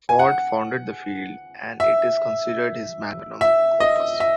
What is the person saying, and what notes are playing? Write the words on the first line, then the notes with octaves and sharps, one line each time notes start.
Ford founded the field and it is considered his "magnum opus".
G#5
F#5
E5
E5
D#5
E5